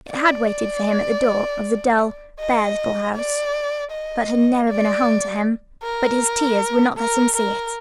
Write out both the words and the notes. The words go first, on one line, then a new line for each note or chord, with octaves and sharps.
It had waited for him at the door of the dull, bare little house that had never been home to him, but his tears would not let him see it.
D5
D#5
D5
D#5
D5
A#4
A#4
A#4